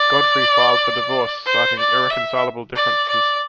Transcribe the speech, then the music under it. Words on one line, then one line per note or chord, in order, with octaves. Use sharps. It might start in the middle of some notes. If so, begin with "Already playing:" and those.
Godfrey filed for divorce, citing irreconcilable differences.
Already playing: D5
C5
D5
E5
D5
D5